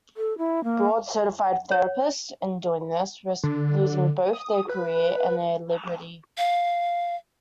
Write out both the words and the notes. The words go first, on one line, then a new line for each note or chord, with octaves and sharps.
Board-certified therapists, in doing this, risked losing both their career and their liberty.
A4
E4
A#3
C#5
D3
D#6
B4
F5